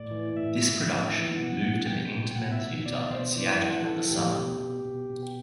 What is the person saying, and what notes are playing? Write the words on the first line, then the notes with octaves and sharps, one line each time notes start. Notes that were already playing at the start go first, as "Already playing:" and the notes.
This production moved to the Intiman Theatre in Seattle for the summer.
Already playing: A2 D5
E3
A2 E5
A2
A2
E3
B2 F#5
B2
B2 G5
B2
B2 F#5
E5
B2
B2 D5
B2 C5
E3 D5
E3 F#5
E3 A4
A2 G4
B2
B2
B2
B2